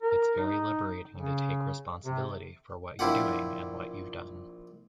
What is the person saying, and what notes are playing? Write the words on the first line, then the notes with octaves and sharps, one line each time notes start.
It's very liberating to take responsibility for what you're doing and what you've done.
A#4
D#4
C#3
C3
A#1 E4 F4 G4 F#5